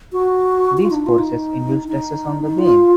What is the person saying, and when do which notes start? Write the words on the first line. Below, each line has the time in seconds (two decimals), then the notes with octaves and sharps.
These forces induce stresses on the beam.
0.12 F#4
0.77 F#4
0.83 F4
0.90 D#4
0.94 D4
1.06 F4
1.18 D#4
1.88 D#4
2.59 F4